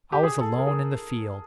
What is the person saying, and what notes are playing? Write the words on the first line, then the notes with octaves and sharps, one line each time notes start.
I was alone in the field.
G4
G#4
A4
A#4
G#4